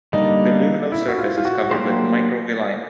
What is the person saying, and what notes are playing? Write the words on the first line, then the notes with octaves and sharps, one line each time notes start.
The luminal surface is covered with microvilli.
D3 G3 A#3 D4 D#4
E4
F#4
F4
F4
F#4
F#4
F#3 A#3 D4 F4 G4 C5